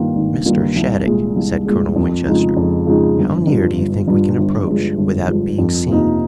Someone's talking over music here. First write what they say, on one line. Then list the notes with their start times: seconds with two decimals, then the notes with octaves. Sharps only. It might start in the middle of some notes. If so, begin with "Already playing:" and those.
"Mr. Shattuck," said Colonel Winchester, "how near do you think we can approach without being seen?"
Already playing: G2 D#3 A#3 F4
0.15 G#1
0.46 G2 D#3 A#3 F4
0.76 C2
1.06 A#2 G#3
1.36 C2
1.66 A#2 G#3
1.96 F2
2.27 C#3 F3 G#3 D#4
2.57 F2
2.86 C#3 F3 G#3 D#4
3.17 G1
3.47 G2 F3
3.77 G1
4.08 G2 F3
4.38 G1
4.68 G2 F3 G#3
4.97 G1
5.28 G2 F3 G#3
5.58 F2
5.88 C3 F3 A#3 D#4